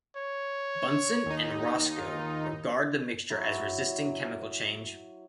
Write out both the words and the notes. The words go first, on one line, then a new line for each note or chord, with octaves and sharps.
Bunsen and Roscoe regard the mixture as resisting chemical change.
C#5
D#2 D#4
F4
F#3 E4